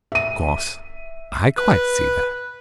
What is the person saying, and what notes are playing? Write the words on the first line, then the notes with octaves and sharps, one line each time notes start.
Of course I quite see that.
E5 D#7
B4